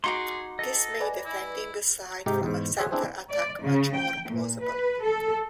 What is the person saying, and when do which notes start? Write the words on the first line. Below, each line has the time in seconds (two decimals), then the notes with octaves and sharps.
This made defending a side from a center attack much more plausible.
0.04 D#4 F#4 G#4 C6 D6
0.59 A4 D#5
1.00 B4 D5 G#5
1.25 E4
2.26 G#2 C3 D#4 G4
2.43 E2 G#2
2.77 G#4 C5 C#5 E5 F#5 G#5
2.91 C4 D4 E4 G#4 B4 C5
3.30 D5
3.62 C#3
3.96 G5
4.29 A#2
4.62 B4
5.02 A4